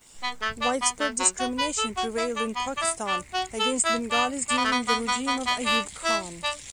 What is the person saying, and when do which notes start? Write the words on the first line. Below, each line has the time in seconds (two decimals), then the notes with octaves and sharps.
Widespread discrimination prevailed in Pakistan against Bengalis during the regime of Ayub Khan.
0.23 B3
0.42 A3
0.62 D4
0.82 B3
1.00 A3
1.20 F#3
1.40 F#4
1.59 B4
1.78 A4
1.97 F#4
2.17 E4
2.36 D4
2.56 B3
2.77 D4
2.81 E4
3.07 D4
3.34 F#4
3.59 A4
3.85 E4
4.11 D4
4.50 D4
4.57 B3
4.64 A3
4.72 B3
4.88 B3
5.08 B3
5.27 B3
5.47 B3
5.66 D4
6.05 E4
6.44 D4